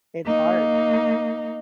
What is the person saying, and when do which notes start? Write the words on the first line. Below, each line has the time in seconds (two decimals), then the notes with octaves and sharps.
It's hard.
0.25 A#3 D#4